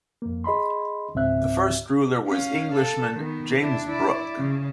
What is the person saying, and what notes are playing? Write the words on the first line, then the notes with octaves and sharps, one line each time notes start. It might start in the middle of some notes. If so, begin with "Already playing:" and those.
The first ruler was Englishman James Brooke.
F2 A#3
G#4 D#5 B5 C6
C#2 G#2 C4 E5 F#6
C#4 F5
A4
D#3 B3
D4 E4
E4 D5
C#3